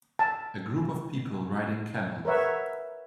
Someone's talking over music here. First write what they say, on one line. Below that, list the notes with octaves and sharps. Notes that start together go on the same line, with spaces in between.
A group of people riding camels.
A5
A#4 B4 C#5 E5 F#5